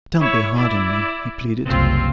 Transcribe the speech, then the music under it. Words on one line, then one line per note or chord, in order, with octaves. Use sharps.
"Don't be hard on me," he pleaded.
E4 C#5
E4 D5
F#1 C2 C4 F4